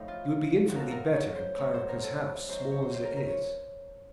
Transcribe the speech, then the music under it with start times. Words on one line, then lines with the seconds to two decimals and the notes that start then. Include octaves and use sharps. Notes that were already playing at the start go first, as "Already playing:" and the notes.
You would be infinitely better in Clarriker's house, small as it is.
Already playing: A2 F3 D#4
0.08 F4
0.68 A2 F3 F#4
0.76 A4 A#4
0.91 A#4
1.13 C#5
1.36 C5
1.58 A2 F#3 C#5
1.74 C5
1.88 A#4
2.03 A4
2.49 F#2 D#3 F#3 C5
2.60 C5
2.72 C#5
2.82 C5
2.94 C5
3.05 A#4
3.16 A#4
3.28 C#5